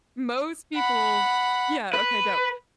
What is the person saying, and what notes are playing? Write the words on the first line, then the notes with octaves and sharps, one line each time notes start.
most people yeah, okay, dope
F#5 B5
B4